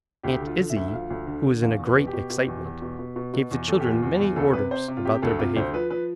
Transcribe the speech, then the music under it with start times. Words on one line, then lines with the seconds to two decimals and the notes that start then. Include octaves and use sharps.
Aunt Izzie, who was in a great excitement, gave the children many orders about their behavior.
0.23 D2 G4
0.42 D3
0.47 F4
0.58 D3
0.70 E5
0.76 D2
0.88 E5
0.93 F3 F5
1.10 D2
1.27 D3
1.44 D3
1.61 E2 F5
1.79 E2
1.85 B4
1.96 B2
2.07 G4
2.13 B2
2.30 B2
2.48 E2
2.65 E2
2.82 B2
2.99 B2
3.16 B2
3.34 B2
3.51 E2
3.67 E2 A4
3.80 G4
3.85 E2
3.90 F4
4.02 E2
4.20 E2
4.36 D2 A4
4.53 C3 B4
4.71 C3 C5
4.88 C3
4.97 F4
5.05 C3 G4
5.22 D2 A4
5.39 C3 F4
5.56 D2 C5
5.74 F3 B4
5.90 F3 B4